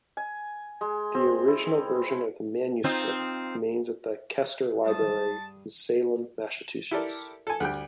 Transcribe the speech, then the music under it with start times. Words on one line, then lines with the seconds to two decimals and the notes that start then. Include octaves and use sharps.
The original version of the manuscript remains at the Kester Library in Salem, Massachusetts.
0.17 G#5
0.81 G#3
1.14 C4
1.48 E4
2.84 C4 D#4 F4
4.85 G2 A5 D#6
6.91 E4 G4 A4 A#4 D5
7.47 A4 G#5
7.60 D2 G3 G5